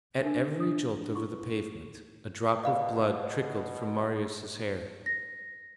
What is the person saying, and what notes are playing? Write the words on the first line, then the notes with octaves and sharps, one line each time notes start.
At every jolt over the pavement, a drop of blood trickled from Marius' hair.
D4 D#4 A#4 E5 G#5 E6
D4 D#6
E4 F4 G4 C6 C#6
B4
B2 D5 F5 B5
A#6